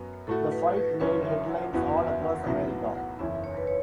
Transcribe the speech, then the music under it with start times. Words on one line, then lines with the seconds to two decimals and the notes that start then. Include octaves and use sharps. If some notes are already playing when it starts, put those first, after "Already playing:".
The fight made headlines all across America.
Already playing: F#2 F#3 B3
0.27 A2 A3 F#4 A4
0.52 B4
0.76 B4
1.00 F#1 F#2 E3 C#4 B4
1.25 E5
1.49 F#5
1.73 F#1 E2 E3 B3 F#4 F#5
1.97 E5
2.22 F#5
2.46 B1 A2 F#3 B3 E5
2.71 F#5
2.95 F#5
3.19 F#1 E2 E3 C#4 E4 E5
3.44 C#5
3.57 B4
3.67 C#5